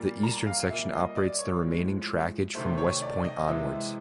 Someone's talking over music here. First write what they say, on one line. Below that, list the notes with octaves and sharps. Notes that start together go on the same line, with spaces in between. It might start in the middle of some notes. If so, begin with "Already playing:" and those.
The eastern section operates the remaining trackage from West Point onwards.
Already playing: A#2 G3 A#3
A#5
F5
A#2 G3 A#3 E5
D#5
D5
C#5
A2 F3 G#3
C3 D#3 F#3 A3 C5
C#5
D5
D#5
C3 E3 G#3 E5